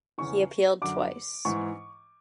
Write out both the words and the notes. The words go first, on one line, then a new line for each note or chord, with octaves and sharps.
He appealed twice.
E2 C#3 E3 C#6
F#2 D3 D6
G#2 E3 C#6